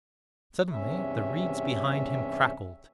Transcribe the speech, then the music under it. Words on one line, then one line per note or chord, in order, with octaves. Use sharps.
Suddenly the reeds behind him crackled.
E2 G2 C3 C#4 E5